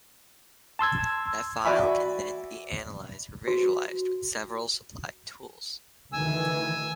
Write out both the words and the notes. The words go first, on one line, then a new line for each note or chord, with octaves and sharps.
That file can then be analyzed or visualized with several supplied tools.
A5 C6 E6 G#6
F#4 D5 E5 G#5 B5 C#6
F#4
D2 D#3 E3 G#5 E6